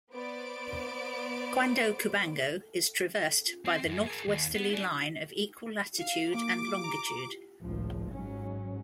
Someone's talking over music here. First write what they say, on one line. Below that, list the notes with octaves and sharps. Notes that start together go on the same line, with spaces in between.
Cuando Cubango is traversed by the northwesterly line of equal latitude and longitude.
B3 C5 D5 D7
C4
F#2
G#4 A#4
D#2
B3
E4 D5
F5
A#3 D6
A#5
G#1 C#2 A2 F3
G#2 F#3 C#4